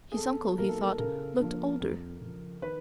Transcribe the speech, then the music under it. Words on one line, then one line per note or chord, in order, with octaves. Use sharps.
His uncle, he thought, looked older.
G#4
E2 A4
B2 F#3 A#3 D#4 A#4
A4
A#4
C#3 A#4
F3 A#3 D4
F2
C#3 F3
D#3 B4